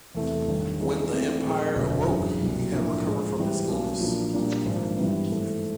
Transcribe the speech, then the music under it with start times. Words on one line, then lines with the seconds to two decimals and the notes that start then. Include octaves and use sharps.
When the emperor awoke, he had recovered from his illness.
0.14 E2 C3 E3 A3
0.47 G1 G2 D#3
0.79 E3 G#3 B3 D#4
1.12 E3 A3 C4 F4
1.44 A#2 F3 G#3
1.75 E1 D2 D3 F#3
2.07 G1 F#2 C#3 E3 G#3
2.40 C2 B2 F#3 A#3
2.72 A2 F3 A#3 D4
3.04 G#2 F3 G#3
3.36 G#2 E3 G3
3.68 B1 B2 F#3 A#3 C#4
4.00 A#2 F3 A#3 D4
4.32 A#2 G3 A#3 D4 F4
4.65 G#1 G#2 F3 A#3 D4
4.96 G2 E3 G3 B3
5.29 G#2 E3 A3